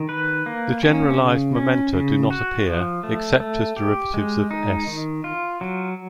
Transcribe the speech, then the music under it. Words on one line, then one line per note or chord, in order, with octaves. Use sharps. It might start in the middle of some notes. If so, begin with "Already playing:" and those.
The generalized momenta do not appear, except as derivatives of "S".
Already playing: D#3
B4
A#3
C#4
C#3
C#4
C#3
F#4
F3
A3
A3
G4
G#3
D#4
D#3
F4
F#3